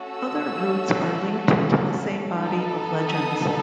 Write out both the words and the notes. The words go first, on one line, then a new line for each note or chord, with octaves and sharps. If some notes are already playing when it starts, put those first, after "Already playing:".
Other roots are linked to the same body of legends.
Already playing: A3 C#4 F#4 A4
E6
B3 D#4 A4
D#6